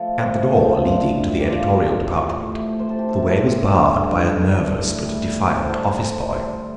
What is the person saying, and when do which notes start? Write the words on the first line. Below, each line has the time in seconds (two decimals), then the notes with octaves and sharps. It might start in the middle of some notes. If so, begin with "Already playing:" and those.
At the door leading to the editorial department the way was barred by a nervous but defiant office-boy.
Already playing: F3 A3 A4
0.20 C3 C5
0.36 A4
0.53 F3 A3
0.69 F4
0.85 C3 D4
1.17 G3
1.40 G4
1.50 C3 F4
1.82 G3
2.14 A2
2.47 A3
2.79 A2 C5
2.89 A4
2.99 G4
3.09 A3 A4
3.44 G2
3.76 D3 G3
4.08 G2
4.41 D3 G3
4.73 A2
5.06 G3
5.38 A2
5.48 C5
5.58 A4
5.68 G3 C5
6.02 A2 A4
6.35 G3